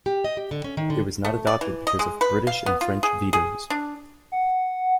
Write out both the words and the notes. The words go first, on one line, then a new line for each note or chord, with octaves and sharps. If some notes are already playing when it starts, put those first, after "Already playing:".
It was not adopted because of British and French vetoes.
G4
D#5
G4
D3
C#4
D#3
D3
A3
D5
E3
D#5
G#3
B4
F5
B3
F4
G#4
G#4
D4
F#5